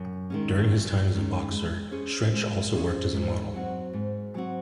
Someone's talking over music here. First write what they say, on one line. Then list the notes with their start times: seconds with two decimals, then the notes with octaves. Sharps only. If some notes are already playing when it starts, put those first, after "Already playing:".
During his time as a boxer, Stretch also worked as a model.
Already playing: F#2
0.30 D#3 G#3 C#4
0.71 F#2
1.11 D#3 G#3 C#4
1.51 G#3
1.91 C#4 G#4 C5
2.32 G#3
2.73 C#4 G#4 C5
3.13 G#2
3.53 F#3 C4 F#4
3.93 G#2
4.35 F#3 C4 F#4